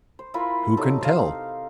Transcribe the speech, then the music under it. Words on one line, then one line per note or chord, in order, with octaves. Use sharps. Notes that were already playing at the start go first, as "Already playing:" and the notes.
Who can tell?
C5
E4 F4 A#4 B5
C3 F#3 D#4 A4
C5 F5